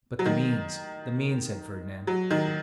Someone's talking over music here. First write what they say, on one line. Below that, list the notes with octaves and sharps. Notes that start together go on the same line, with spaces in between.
"But the means--the means?" said Fernand.
F#3
D#3
F#3
D#3